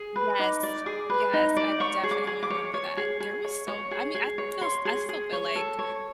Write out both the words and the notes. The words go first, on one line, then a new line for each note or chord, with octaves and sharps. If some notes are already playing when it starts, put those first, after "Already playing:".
Yes. Yes, I would definitely remember that. There was so I mean, I feel s I still feel like
Already playing: G#4
B4
D#4 D6
D5
G#4 D6
B4
D#4
D5
C#5 C#6
G#4
D6
G#4
D6
C#5
C#5
G#4
G#4
C#5
C#5
G#4
G#4
C#5
C#5 C6
G#4
G#4
C#5
A4
C#5